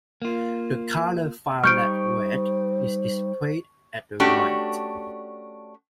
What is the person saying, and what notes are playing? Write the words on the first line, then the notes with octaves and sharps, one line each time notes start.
The color violet-red is displayed at the right.
A#3 F4
G3 D#4 C5 G5 C#6 F6 G6 D7
A3 C#4 D4 F#4 G4